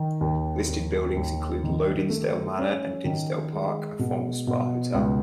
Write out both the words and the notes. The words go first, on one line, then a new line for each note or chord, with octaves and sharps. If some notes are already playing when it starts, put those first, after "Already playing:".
Listed buildings include Low Dinsdale Manor and Dinsdale Park a former Spa hotel.
Already playing: D#3
D#2
D#2
D#2
D#3
A3
C#4
D#3
G#3
B2
B2
C#2